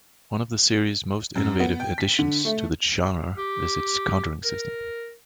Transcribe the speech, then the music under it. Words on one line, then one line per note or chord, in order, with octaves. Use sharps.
One of the series' most innovative additions to the genre is its countering system.
F#2
B3
G5
B6
D3
A3
G4
A#4